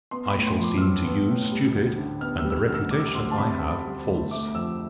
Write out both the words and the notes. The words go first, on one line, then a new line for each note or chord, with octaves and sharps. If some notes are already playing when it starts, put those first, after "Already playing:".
I shall seem to you stupid, and the reputation I have false.
B3 C6
B5
A2
C6
F3
D6
F6
A2 E6
B3
A2
G3
D2
D3
B3 F6
E6
G3
E6
F6
D2 F6
E6
G3 D6
E6
D6
D2 C6
A5
C3 B5
C4
G3
D2
A3 D6
F2 E6